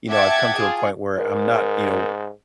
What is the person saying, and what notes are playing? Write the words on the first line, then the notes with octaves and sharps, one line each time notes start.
you know, I've come to a point where I'm not, you know
E5 F#5 G5 A5 D6 G#6
F4 G#4
G#2 A#4